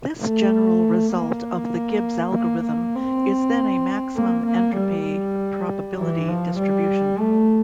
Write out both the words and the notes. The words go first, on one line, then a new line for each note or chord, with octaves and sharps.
This general result of the Gibbs algorithm is then a maximum entropy probability distribution.
A3
A#3
A#3
A#3
C4
A#3
A#3
G3
E3
F3
G3
A3